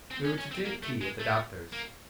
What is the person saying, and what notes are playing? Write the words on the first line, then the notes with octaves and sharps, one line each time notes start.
We were to drink tea at the Doctor's.
C4
C#4
C#4
C4
A#3
A3
G#3
A3
A#3